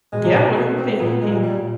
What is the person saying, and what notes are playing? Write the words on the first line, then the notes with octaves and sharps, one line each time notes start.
Yeah, what do you thinking?
B2 G#3
C3
B2 A3
B3
C4
A#2 B3
G#3
A#2
G3
A#2